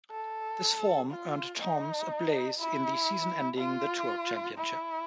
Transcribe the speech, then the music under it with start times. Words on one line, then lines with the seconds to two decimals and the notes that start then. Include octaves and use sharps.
This form earned Toms a place in the season-ending The Tour Championship.
0.12 A4
1.10 F4
1.61 D#4
2.59 E4
3.58 F4
4.58 E4